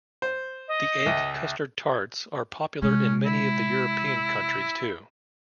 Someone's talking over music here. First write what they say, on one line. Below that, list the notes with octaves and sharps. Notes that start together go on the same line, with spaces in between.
The egg custard tarts are popular in many of the European countries too.
C5
D#5
C#2 E5
C3 G#3 C#4
E4